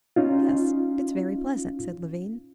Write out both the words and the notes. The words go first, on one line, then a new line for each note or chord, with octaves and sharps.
"Yes, it's very pleasant," said Levin.
C#4 D#4 F4